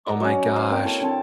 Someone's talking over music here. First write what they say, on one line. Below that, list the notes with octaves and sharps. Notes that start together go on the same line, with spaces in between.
Oh my gosh,
D5 D#5 F#5 A#5
F#3 C#4
B4 F5
A#3 C4 G5
E4 A4 C#5 A5
D3 C4 A5